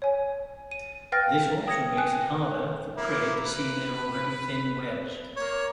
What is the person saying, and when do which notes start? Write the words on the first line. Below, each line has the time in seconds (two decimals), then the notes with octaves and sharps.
This also makes it harder for prey to see their already thin webs.
0.02 C#5 G#5
0.71 D#7
1.12 B4 F5 G5 F6 A6 A#6
1.67 G5 D#6 G#6 A#6 C#7
1.96 G5 G#5 F#6
2.97 A#3 E4
3.43 B4
5.36 A#3 C#5